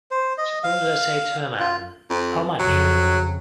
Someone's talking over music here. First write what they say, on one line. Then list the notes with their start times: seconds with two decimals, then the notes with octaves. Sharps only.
Suppose I say to a man, "how much?"
0.11 C5
0.38 D#5
0.63 F5
1.60 F4
2.10 F2
2.59 F2 C#3 F#3